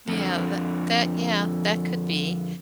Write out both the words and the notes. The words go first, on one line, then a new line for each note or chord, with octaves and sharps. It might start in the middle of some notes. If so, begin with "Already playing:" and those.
Yeah, that that, yeah, that could be.
F2 D3